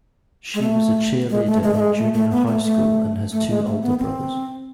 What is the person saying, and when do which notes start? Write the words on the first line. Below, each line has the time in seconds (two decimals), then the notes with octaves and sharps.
She was a cheerleader in junior high school and has two older brothers.
0.54 G#3
0.62 A3
1.30 G#3
1.46 A3
1.63 G#3
1.74 A3
1.80 G#3
1.97 A3
2.13 A3
2.31 B3
2.47 A3
2.64 A3
3.32 A3
3.49 G#3
3.66 A3
3.82 B3
3.99 C4